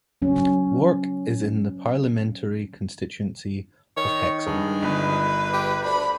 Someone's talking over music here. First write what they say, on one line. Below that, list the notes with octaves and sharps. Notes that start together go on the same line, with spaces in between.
Wark is in the parliamentary constituency of Hexham.
F#3 C#4
D#3 C#5
G2 G#3
G1 B4
G4
D2 D4 B5